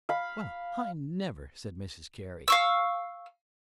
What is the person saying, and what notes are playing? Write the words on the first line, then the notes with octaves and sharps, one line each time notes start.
"Well, I never," said Mrs Carey.
F5 B5
F5 C#6 E6